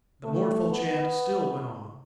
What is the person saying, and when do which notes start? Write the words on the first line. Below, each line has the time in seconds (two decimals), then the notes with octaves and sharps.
The mournful chant still went on.
0.24 A3
0.71 B3